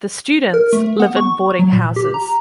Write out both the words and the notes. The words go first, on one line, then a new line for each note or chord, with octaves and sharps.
The students live in boarding houses.
A#4
A3
B3
C#6
F#3
A#2
G4
A#5